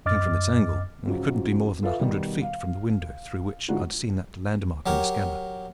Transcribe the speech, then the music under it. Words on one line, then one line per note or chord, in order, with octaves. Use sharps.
Judging from its angle, we couldn't be more than a hundred feet from the window through which I'd seen that landmark in the scanner.
F#2 D#5 D6 F6 A6
C#2 G#2 F3 F#3
F4 A4 B4 E5 F5
B2 D#3 G3
F5
G#2 D3 G#3 D#4 F4 F#4
F#3 G4 A#4